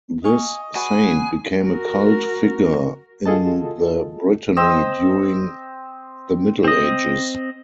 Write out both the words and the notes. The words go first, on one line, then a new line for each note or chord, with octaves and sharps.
This saint became a cult figure in the Brittany during the Middle Ages.
D#5 F5 G#5 C#6
F#4 G#4 B4 D5 G#5
F#4 A#4
F4 F#4 G#4 A4 D#5 A5
C4 D#5 E6
C4 D#5